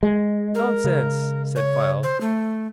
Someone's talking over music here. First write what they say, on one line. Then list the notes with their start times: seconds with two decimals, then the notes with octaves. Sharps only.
"Nonsense," said Files.
0.03 G#3
0.55 A#4
0.84 C#3
1.56 C#5
2.03 C5
2.21 A3